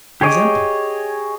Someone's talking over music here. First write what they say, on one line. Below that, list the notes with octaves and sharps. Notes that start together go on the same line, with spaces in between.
It is empty.
G4 G#4 C#5 D#5 D6